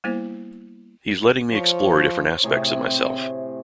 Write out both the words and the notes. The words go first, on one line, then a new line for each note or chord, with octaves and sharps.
He's letting me explore different aspects of myself.
G3 A#3 B3 E4 C5
F3 C5 C#5
A2 C3 C4 G#4